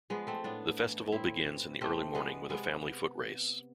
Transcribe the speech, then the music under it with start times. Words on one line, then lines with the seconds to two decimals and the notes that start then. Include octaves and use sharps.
The festival begins in the early morning with a family foot race.
0.10 F3 G#3 B3
0.27 A3 C4
0.44 A2 B3 D4
0.79 E3
1.12 A2 C4 E4
1.46 E3
1.81 C3 A3 C4
2.14 F3 G#3 B3
2.49 C3 G#3 B3